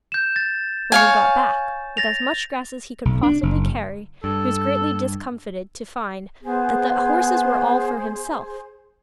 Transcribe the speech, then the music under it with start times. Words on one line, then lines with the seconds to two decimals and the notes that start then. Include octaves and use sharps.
When he got back, with as much grass as he could possibly carry, he was greatly discomfited to find that the horses were all for himself.
0.12 G6 E7
0.36 A6
0.92 C#5 F5 G#5
1.97 A6 A#6 F7
3.05 B1
3.23 D4
3.43 F#1
4.24 G2 A4
6.43 B3 G#4 C5